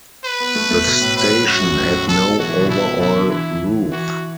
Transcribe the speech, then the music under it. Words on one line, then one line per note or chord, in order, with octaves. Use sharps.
The station had no overall roof.
B4
B3
A3
A3
B2
A2
A2 B4
A2
F#2 F#4
F#2
A2
B2 A4
E3 F#4
E3
B2
B2 E4
B2 E4
D3
E3 E4
E3 F#4